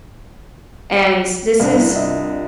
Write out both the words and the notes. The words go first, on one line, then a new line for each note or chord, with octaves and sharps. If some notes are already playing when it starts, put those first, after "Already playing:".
And this is
C2 G2 B4 F5
D4 E4
F4 D#5 E5